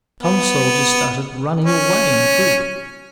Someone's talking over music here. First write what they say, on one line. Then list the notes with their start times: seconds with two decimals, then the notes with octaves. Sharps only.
Some soldiers started running away in a group.
0.23 B3
1.64 C#4